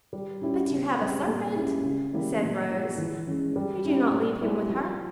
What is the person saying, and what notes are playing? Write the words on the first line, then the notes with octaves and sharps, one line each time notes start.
'But you have a servant,' said Rose; 'could you not leave him with her?'
G3
C#4 E4 G4
C#3
G3 C4 G4
A#2
G#3 C#4 E4 G4
C#3
E3 G3 A#3 E4
A#2
F3 G#3
E3
G#3 C#4
G3
C#4 E4 G4
A#2
G3 C4 E4 G4
F3